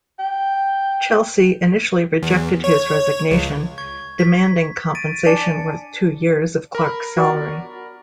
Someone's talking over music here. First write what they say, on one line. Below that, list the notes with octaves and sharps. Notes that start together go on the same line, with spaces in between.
Chelsea initially rejected his resignation, demanding compensation worth two years of Clarke's salary.
G5
E2
C#5
C#2
C#6 G#6
G#6 B6
A6 D7 D#7
D4 G#5 A5 C#7
A#4 B5
F#4 D5